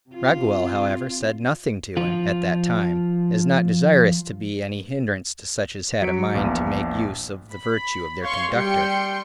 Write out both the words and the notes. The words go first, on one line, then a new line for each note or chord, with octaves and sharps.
Raguel however said nothing to him at that time, as not desirous to be any hinderance to such as had a mind to make use of the virtue of their conductor.
C3 F4
F3 F4
F#3 B6 C#7 D7
A#1 E2 F5
B5
C#5 F5 C6 C#6
G3 G5 C6 C#7